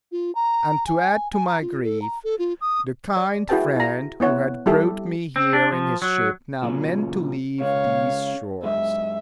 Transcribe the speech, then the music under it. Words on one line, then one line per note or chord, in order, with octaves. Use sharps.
And to add to my grief, the kind friend, who had brought me here in his ship, now meant to leave these shores.
F4
A#5
G#5
G#5
A#5
F4
A4
A#5
A4
F4
D#6
D5
E4 F#4 G#4 B4 G5 A5
E4 A#5
B3 E4 C#5 F#5
G3 E4 G4 A4 E5
C4
D4
F3
F#3
A#2 C#3 F#3
C#2 C#3 C#5 F5
F#2 G#3 E5